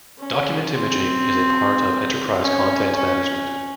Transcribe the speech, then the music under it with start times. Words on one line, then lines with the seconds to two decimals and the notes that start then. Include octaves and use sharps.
Document imaging is a part of enterprise content management.
0.18 C#4
0.73 C4
2.40 C#4
2.95 C#4